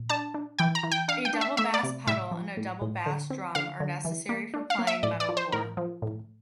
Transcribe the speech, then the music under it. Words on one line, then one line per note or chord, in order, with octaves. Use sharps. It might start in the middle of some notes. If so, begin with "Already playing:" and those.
A double bass pedal and a double bass drum are necessary for playing metalcore.
Already playing: A#2
D4 A5
D4
E3 G5
A#5
E3
G5
D4 F5
G5
D4
E5
A3 E5
D5
C3
A2 E5
F3
A2
A2
D3
C4
D3 F5
D3
E3
A#3
D4
F5
A#3
E5
A2 D5
D5
F3
C5
A2 A#4
F3
A2